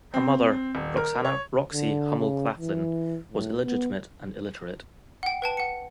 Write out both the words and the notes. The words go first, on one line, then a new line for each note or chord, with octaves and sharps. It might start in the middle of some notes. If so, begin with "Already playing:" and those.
Her mother, Roxanna "Roxy" Hummel Claflin, was illegitimate and illiterate.
C4
D#1
A#4
C#5
D3
C#3
E3
A2
B3
F#5 G5
B4 G5 A5
F#5 C#7